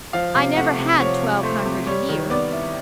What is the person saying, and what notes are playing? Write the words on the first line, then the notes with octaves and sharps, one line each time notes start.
I never had twelve hundred a year.
F3 F5
C3 F5
A3 F#5
C3
F3 C#5
C3
A3 C5
C3
G3 C#5
D#3
B3 D5
E4